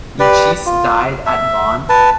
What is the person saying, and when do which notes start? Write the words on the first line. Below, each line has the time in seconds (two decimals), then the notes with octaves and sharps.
Luchesi died at Bonn.
0.20 G4 B4 D5
0.66 F4
1.26 E5
1.89 B4 A5